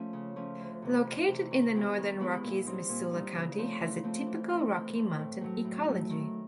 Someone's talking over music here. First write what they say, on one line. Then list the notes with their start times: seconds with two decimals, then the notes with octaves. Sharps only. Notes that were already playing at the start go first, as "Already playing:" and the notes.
Located in the Northern Rockies Missoula County has a typical Rocky Mountain ecology.
Already playing: F3 A3 C#4
0.13 C#3
0.36 F3 A3 C#4
0.60 D2
0.82 C3 E3
1.05 D2
1.28 C3 E3
1.51 D#3
1.74 G#3 B3 E4 G4
1.97 D#3
2.20 G#3 B3 E4 G4
2.43 A#2
2.66 G3 C4 D#4
2.89 A#2
3.11 G3 C4 D#4
3.35 C#3
3.58 F3 A3 C4
3.80 C#3
4.03 F3 A3 C4
4.26 E3
4.49 A3 C4
4.73 E3
4.95 A3 C4
5.19 A2
5.41 F#3 A3
5.65 A2
5.87 F#3 A3
6.10 D#3